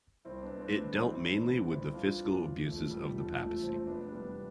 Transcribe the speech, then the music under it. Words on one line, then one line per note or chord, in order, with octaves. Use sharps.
It dealt mainly with the fiscal abuses of the papacy.
C2 C4 E4
B3 D4
C2
A3 C4
E3
B3 D4
A1 C4 E4
A1
B3 D4
E3
C2 C4 E4
C2 D4 F4
E3
E1
E1 F3 A3
B2 G3
E1 F3 A3
E1 F3 A3
C3 A3 C4
F1 B3 D4
E3 G3 B3
C3